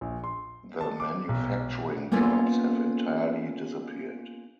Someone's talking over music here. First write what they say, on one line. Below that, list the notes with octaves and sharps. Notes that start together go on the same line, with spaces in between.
The manufacturing jobs have entirely disappeared.
A#1
C6
A5
D6
B1
A#3 B3 C#4 F4 A4